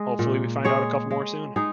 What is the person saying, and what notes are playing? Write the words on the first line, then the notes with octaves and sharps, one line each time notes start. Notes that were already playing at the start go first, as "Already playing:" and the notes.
hopefully, we find out a couple more soon.
Already playing: G#3 D#5
A#2
G#3 G#4 C#5
G#3
G#3 D#4 G#4